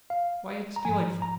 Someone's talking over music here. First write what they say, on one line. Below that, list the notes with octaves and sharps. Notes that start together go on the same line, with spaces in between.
Why, its delightful!'
F5
A#5
G#2 F3 G#5
A#5